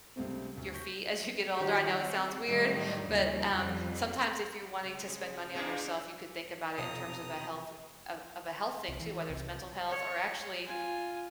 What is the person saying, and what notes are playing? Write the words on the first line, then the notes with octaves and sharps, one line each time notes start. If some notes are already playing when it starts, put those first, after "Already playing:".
your feet as you get older; I know it sounds weird, but, um, sometimes if you're wanting to spend money on yourself, you could think about it in terms of a health of of a health thing too, whether it's mental health or actually
C#2 G2 C3 A3 C4
D2
C#6 G6 A#6 B6
D#3 F3 G3 F#4 G4
C4 F#4
A2 D#3 F#3 G3 D#4
D#2 C#3 F3 G3
F2 F3 G3
C#3 G#3
G#3 A#3 C4 D4 D#4 G#4
B1 F2 C3 F3 C4 A4 A#5 D#6
C2
E3
C2
C#5
F4 G#5